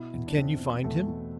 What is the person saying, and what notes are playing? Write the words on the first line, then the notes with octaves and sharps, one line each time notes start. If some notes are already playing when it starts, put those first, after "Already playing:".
"And can you find him?"
Already playing: B2 E4
E2
D4
E2 C4
B2
E2 A3
B2